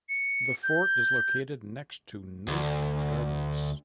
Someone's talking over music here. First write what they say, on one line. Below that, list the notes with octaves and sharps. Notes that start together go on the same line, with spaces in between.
The fort is located next to Nothe Gardens.
C#7
G6
D2